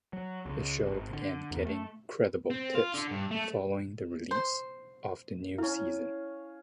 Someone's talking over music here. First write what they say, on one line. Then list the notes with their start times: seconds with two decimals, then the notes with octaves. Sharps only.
The show began getting "credible tips" following the release of the new season.
0.13 F#3
0.46 C#2
0.87 G#1
1.13 D3
1.51 E2
1.65 A3
2.51 C4
2.75 F4
2.94 D3
3.11 G2
3.31 A3
4.31 C5
5.58 C#4 E4 F5